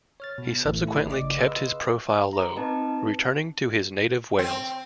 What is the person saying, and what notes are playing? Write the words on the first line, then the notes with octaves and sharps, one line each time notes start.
He subsequently kept his profile low, returning to his native Wales.
C#5 F6 A6
B2
A1 E3 A3
A3 E4
G#1 C#3 D5 D#5 D6
G#4 B4 D#5 F5 C6 E6
A#5
C4 D#4 B4 D#5 A5
C4